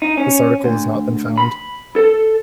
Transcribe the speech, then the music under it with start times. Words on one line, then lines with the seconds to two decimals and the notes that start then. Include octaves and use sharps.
This article has not been found.
0.02 D#4
0.17 C#4
0.64 D2
1.38 B5
1.96 A4